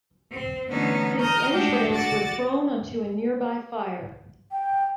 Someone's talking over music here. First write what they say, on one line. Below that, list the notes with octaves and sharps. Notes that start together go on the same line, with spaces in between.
His entrails were thrown onto a nearby fire.
C4
D3 E3 A3 B3 C#4 D#4
A#5 D#6 F6 G6
G#3 A3 D4 F#4 G4
F#4 D5 A6
G5